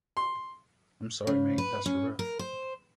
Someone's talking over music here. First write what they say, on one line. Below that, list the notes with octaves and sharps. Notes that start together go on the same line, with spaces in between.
I'm sorry, mate, that's rough.
C6
C#3
B4
C#4
A#4
C5